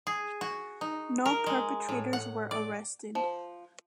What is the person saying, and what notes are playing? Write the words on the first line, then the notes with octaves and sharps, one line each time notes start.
No perpetrators were arrested.
G#4
F#4
D#4
A#4
G#3
A2
F#5
D5
F3